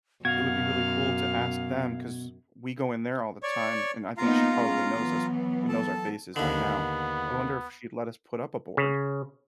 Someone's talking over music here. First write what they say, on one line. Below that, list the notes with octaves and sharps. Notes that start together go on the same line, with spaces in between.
it would be really cool to ask them 'cause we go in there all the time, and I think she probably knows us knows our faces by now. I wonder if she'd let us put up a board
F#2 B2 F#4 F5 G#6
C#5 D5 C#6
A#3 B3 D#4 F4 F5 A#5
G#3 B3 C#4
E3 F#3 B3
A4 A5
D#2 D3 B3
C#3